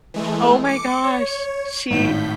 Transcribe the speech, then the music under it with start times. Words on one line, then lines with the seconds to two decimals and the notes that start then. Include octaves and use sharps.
Oh my gosh, she
0.14 E3 G#3 A3
0.65 D6 C#7
1.04 C#5
1.91 G#1 A2 G6 B6